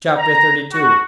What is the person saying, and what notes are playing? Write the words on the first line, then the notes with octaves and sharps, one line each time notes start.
Chap. XXXII.
A#5
F#4